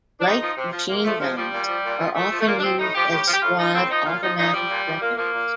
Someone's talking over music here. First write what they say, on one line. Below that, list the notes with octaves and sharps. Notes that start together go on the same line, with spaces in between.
Light machine guns are often used as squad automatic weapons.
D4
C3 D#4
F3
C3
F3
C3 A#3
F3 A3
C3 F3
F3 G3
A#2
F3
A#2
F3
A#2 A3
F3
A3
A#2 A#3
D4
F3 C4
A2 D#4
F3 G4
A2 G4
F3
G4
A2 F4
F3 D#4
A2 C4
F3 D#4
A#2 F4
F3 D#4
A#2 D#4
F3 G3
A#2
F3
A#2 A#3
F3 A#3
A#2